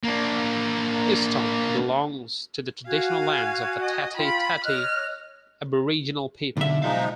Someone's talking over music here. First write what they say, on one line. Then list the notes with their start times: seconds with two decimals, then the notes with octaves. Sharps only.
Euston belongs to the traditional lands of the Tati Tati Aboriginal people.
0.04 A#3 D4
2.87 F#4 F5 G#5 G#6
3.82 D#5
4.17 F4 G5 B5
4.64 C#5 D#5 F6 F#6
6.57 B1 D3 E5
6.82 F3 G#3 D#4 D5 F5